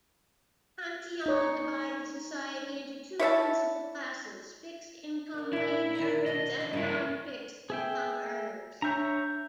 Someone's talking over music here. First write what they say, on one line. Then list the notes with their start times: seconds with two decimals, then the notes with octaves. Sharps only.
Cantillon divided society into two principal classes-fixed income wage-earners and non-fixed income earners.
1.26 D#4 C#5
3.20 E4 C#5 E5 A5
5.34 A#3 B3
5.53 A#2 C#4 E4
5.95 D#3 F5 A#5
6.26 B2 A4 B4 D#5
6.60 F3 E4
6.73 G2 G#3 E4 A#4
7.70 G#4 E5 G5
8.82 D4 C#5 E5 A#5 G6